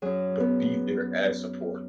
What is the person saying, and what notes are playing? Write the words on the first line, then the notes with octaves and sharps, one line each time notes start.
but be there as support.
F#2 F#3 G#4
B3